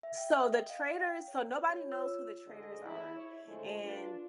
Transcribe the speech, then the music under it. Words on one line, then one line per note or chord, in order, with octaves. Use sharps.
So the traitors so nobody knows who the traitors are, and
E5
G5
D#5
F5
G5
C#5
C#5
F4
E6
D2 G#2 D3 G#3 D4 D#5
E4
C#5
D3 F3 G#3 A3
D4 F4 B4